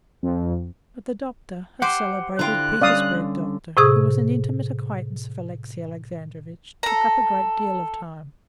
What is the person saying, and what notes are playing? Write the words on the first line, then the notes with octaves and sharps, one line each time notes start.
But the doctor, a celebrated Petersburg doctor, who was an intimate acquaintance of Alexey Alexandrovitch, took up a great deal of time.
F2
G4 C5 F#5
D3 E4 F4 G5 A#5 F#6
D3 G3 C#4 D5 F5 D#6
A2 C3 G#4 D#6
A4 A#5